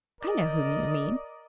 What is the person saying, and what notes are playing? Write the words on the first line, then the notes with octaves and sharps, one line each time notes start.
I know whom you mean.
A#4 D5 D#5